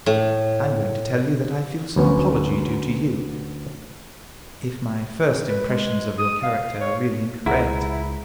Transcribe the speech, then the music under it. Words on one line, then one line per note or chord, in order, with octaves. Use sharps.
I am going to tell you that I feel some apology due to you, if my first impressions of your character are really incorrect.
A2
D2 F#3 B3 C#4
B4
G#3
D#6
F5
C#5
C#2 E4 G#4 F#5 A#5